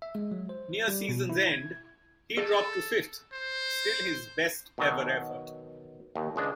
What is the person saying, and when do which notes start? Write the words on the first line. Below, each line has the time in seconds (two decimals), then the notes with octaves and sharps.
Near season's end, he dropped to fifth, still his best ever effort.
0.02 E5
0.15 G#3
0.32 F#3
0.49 C5
0.88 G3
1.09 B2
1.29 E4
1.52 G#6
2.37 G#4 A4
3.33 C5
4.78 B2 D#3 F#3
6.16 D#2
6.36 C#2 G#3 D4